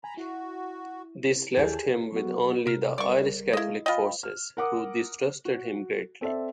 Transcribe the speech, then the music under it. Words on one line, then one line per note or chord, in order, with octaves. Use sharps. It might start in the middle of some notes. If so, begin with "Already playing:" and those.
This left him with only the Irish Catholic forces, who distrusted him greatly.
G#5 A#5 B5
E4 F#4
D#2 E4 G4 G#4 A5 G6
F#3 B3 F#4
C3 A#4
G1 G3 A#4 D5 C#6
G#3 E4 G#4 D#5 F5
F4 D#5 G5 B5
F6
A#4 F#5 D6 D#6
F#4
C4 A4 C5 D5 E5